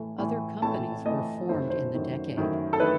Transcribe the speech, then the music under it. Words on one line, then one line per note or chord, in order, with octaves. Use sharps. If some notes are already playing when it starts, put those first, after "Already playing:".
Other companies were formed in the decade.
Already playing: A2 E3 A3
A2 E3 A3
A2 E3 A3 A5
A2 E3 A3 D#5
F#2 D#3 A3 E4 C5
C5
F#2 D#3 A3 E4
F#2 D#3 A3 E4
A4
D#3 A3 E4 B4